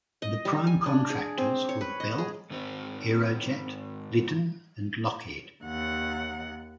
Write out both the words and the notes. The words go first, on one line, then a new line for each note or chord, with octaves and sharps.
The prime contractors were Bell, Aerojet, Litton, and Lockheed.
D#5
G3
G#5
D4
G#4
C4
C#5
B4
D#5
G#4
G#2 D#3 C4 D#4
D#2 F#5